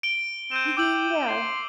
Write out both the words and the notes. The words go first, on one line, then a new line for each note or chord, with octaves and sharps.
Mhm, yeah.
D7 G7
C4 G6 D#7 E7
G5 D6 E6 F#7
C6